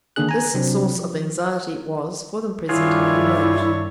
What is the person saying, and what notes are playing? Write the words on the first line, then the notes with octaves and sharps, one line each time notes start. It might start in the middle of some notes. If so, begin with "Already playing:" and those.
This source of anxiety was for the present removed.
D3 D#3 A#3 D4 G#4 F#6
G#5 A#5
C3 F#3 C4 D4
F3
G2 D#3 D4 E4 F4 G4 G#4 C#5